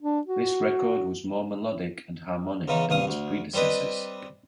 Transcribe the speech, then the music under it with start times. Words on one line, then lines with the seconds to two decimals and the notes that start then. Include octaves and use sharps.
This record was more melodic and harmonic than its predecessors.
0.02 D4
0.27 F#4
2.68 E2 C#3 G#3 D#4
2.90 C2 G2 F5 D#6
3.07 D2
3.54 G3 C4 D4 B4 D#5